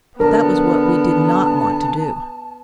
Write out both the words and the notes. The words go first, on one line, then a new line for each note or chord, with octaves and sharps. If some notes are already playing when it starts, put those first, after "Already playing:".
But that was what we did not want to do.
D3 B3 A#4 A5